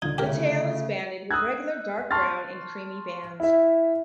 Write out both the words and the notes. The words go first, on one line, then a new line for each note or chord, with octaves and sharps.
The tail is banded with regular dark brown and creamy bands.
D3 D#4 F4 G#6
C#3 A3 G4 A#4
D#6 E6 F#6 G#6
A5 C6 C#6 F6 A6
E4 E5